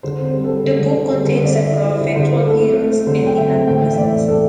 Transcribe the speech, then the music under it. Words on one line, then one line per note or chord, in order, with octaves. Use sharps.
The book contains several factual errors and inaccuracies.
D3 C5
C4 C5
G3
G3 A4
D3
D3
D3
G3
D3 C5
D3
D5
D3 E5
E4
E4
D3
D3 C5
E4
A3 A4
C4
A3
C4
D3 C5
D3 G5
C4 E5
D3
A2 G5
E3
E5
A2 D5
A2
A2 A4